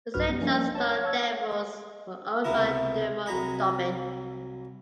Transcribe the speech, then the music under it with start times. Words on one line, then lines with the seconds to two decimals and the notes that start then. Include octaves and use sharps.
The Saint John's Fog Devils were owned by Dermot Dobbin.
0.14 B1 G2 F#4 B4 F6
0.29 G3 B3
0.41 F3 A#3 C#4 D4
0.75 C#5 A5
0.91 C#5 G#6
1.04 C#5 A5 E6 G#6
2.44 C#2 C3 B3 E4 A#4
3.26 C2 F#3 A#5 B5 C#6